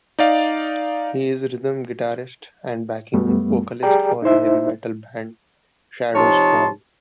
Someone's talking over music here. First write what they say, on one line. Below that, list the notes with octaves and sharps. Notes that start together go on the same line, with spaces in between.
He is rhythm guitarist and backing vocalist for the heavy metal band Shadows Fall.
D#4 D5 F5
F#2 G3 A3 B3
G4 G#4 D5 G5 A#5
D#4 E4 C5 E5
C3 F3 D#4 C#5 A5 C6